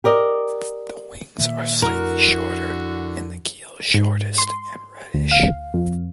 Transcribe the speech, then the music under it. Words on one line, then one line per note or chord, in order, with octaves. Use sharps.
The wings are slightly shorter and the keel shortest and reddish.
G4 A#4 D5 D#5
A#2 D#3 A#3 E5
F2 D3 E4 F#4 A#4
G#2
C6
D2
F5
F2